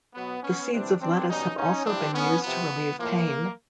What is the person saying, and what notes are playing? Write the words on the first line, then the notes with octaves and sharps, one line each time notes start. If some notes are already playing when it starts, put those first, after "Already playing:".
The seeds of lettuce have also been used to relieve pain.
B2 F#3 B3
B3 C#4
C3 E3 G3 C4 D4
C4 D4
B2 G3 C#4 D#4
C#4 D#4
G2 E3 G3 C4 D4
B3 C#4
C3 F3 B3
A2 F3 A#3